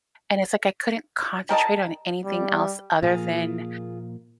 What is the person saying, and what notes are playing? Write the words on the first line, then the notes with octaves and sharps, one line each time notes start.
And it's like I couldn't concentrate on anything else other than
G3 A#4 D#5 A5
G3
A#2 F3 A#3 F4 G#4